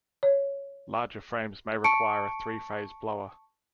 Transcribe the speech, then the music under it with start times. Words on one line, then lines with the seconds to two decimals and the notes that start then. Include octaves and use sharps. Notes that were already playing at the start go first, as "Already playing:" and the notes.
Larger frames may require a three phase blower.
0.23 C#5
1.84 A5 C#6 C#7 D7